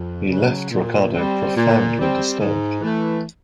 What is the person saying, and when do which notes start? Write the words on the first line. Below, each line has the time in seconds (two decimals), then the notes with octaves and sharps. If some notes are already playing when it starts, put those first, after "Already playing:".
He left Ricardo profoundly disturbed.
Already playing: F2
0.29 C#3 F#3
0.71 A#2
1.14 G3 C4
1.55 A#2
1.98 G3 C4
2.39 G#2
2.81 E3 A3